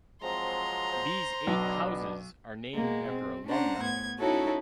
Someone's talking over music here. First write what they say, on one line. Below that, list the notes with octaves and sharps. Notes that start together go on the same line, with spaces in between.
These eight houses are named after alumni.
F3 F#3 G#3 C4 A#5 C6
C5
B1 B2 B3 D4
B2 G#3 A#3
C4
C#4 D4 C5 F#5 A#5
A2 B3 G#6
C#4 D#4 E4 F#4 A4 C#5